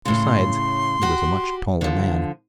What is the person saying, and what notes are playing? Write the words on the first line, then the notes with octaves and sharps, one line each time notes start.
Besides, he was a much taller man.
A2 C#3 C6
F#4 G4
D3 F3